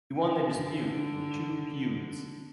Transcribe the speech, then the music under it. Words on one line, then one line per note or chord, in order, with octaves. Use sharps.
He won the dispute in two feuds.
D3